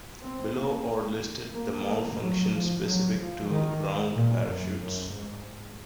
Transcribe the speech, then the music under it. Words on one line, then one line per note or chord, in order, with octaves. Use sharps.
Below are listed the malfunctions specific to round parachutes.
C4
A#3
A#3
A#3
F#3
F3
F#3
F3
D#3
A#2
F#2
F#2
G#2